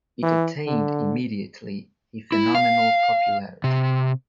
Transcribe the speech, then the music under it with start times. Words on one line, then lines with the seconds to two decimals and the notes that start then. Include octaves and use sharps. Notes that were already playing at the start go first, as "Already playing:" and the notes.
It attained immediately a phenomenal popularity.
0.23 E3
0.67 D3
2.32 E4
2.55 F5
3.64 C3